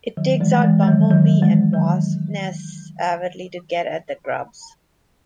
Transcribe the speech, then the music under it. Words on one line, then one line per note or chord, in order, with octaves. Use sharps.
It digs out bumble bee and wasp nests avidly to get at the grubs.
D#3 F#3
E3 G#3
A3
E3 G#3
G#3
D#3 F#3
D#3 F#3
E3 G#3
D#3 F#3